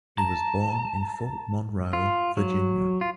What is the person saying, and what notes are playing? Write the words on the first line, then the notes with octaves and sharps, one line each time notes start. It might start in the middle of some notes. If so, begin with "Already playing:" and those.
He was born in Fort Monroe, Virginia.
A5 A#5
F4
F#3
F4